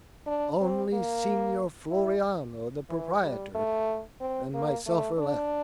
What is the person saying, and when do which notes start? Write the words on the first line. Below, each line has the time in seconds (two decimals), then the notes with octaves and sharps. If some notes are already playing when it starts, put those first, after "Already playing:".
Only Signor Floriano, the proprietor, and myself are left.
0.26 D4
0.60 C4
0.93 A#3
1.91 E4
2.90 E3
3.23 G3
3.55 A3
4.21 C4
4.54 A#3
4.86 A3
5.18 D4